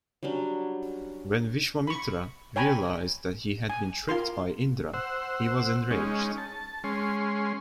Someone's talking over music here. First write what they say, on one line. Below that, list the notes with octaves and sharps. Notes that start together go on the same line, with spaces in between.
When Vishwamitra realized that he had been tricked by Indra, he was enraged.
F#3 G3 C#4 D4
B5 C#6
C#5 G5 G#5 A#5 B5
G#5
F4 A#4 C6
C5 F#5 E6
G#3 C#4 D#4
A5
G#3 C#4 C6